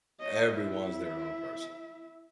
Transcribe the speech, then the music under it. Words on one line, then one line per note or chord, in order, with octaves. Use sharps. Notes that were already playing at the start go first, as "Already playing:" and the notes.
Everyone's their own person.
C#5 D#5
E4 E5